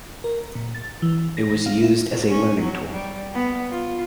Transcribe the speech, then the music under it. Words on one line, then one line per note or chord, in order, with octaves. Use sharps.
It was used as a learning tool.
A#4
A#2
A6
E3
A#6
A#6
F5
E4
C#4
F#3
G3
B3
F4